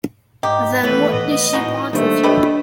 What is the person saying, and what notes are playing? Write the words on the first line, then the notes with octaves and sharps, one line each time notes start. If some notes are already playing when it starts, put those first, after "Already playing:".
Then what does she want with you?
G#2 G4 D#5 A#5 D6
D#2 E3 A3 B3 A4 B4
A2 B4 D#5
D#4 E4 F#4 G#5 A#5
D#3 G3 A3 A#3 D4 C5
C#2 D4 G4 B4 D#5